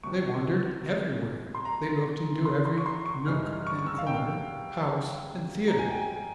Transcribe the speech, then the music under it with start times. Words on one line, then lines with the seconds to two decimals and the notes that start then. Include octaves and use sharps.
They wandered everywhere, they looked into every nook and corner, house and theater.
0.03 C2 C3 F3 C#6
1.55 C6
1.65 A#5
2.45 C6
2.65 C6
2.78 C#6
2.86 C6
3.06 C#6
3.26 G2 E3 G#3 F6
3.46 F6
3.67 C#6
3.79 C#6
3.86 E6
3.98 F5
4.07 G5
5.68 A#5
5.79 G#5
5.90 G5
6.01 G#5